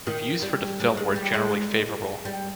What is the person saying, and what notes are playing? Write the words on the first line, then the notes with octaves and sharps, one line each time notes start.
Reviews for the film were generally favourable.
D#3
G3
G#3
G#3
G3
G#3
G3